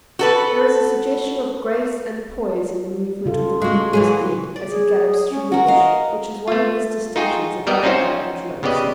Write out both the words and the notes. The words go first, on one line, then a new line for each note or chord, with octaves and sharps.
There is a suggestion of grace and poise in the movement of the koodoo bull's head as he gallops through the bush which is one of his distinctions above the other antelopes.
F#4 A4 B4
C#3 F4 A4
G#3 F#4 F5
E3 F#3 G#4
D5
G#4
C#4
C#4 F#4 A#4
A#4 D#5 F5
A3 F4
D#4 F4 F#4 G#4 G5
G3 B3 A#4 D5 D#5
C4 C#4 D#4 F4 F#4 C5
C#3 B3 G4 D5 D#5